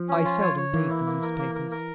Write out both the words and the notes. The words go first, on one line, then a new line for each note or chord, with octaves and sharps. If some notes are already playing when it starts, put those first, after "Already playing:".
"I seldom read the newspapers."
Already playing: F3
C#4
F4
C#5
C#5
E3 A#3
E4
A#3
A#4
A#3
A#4
A#4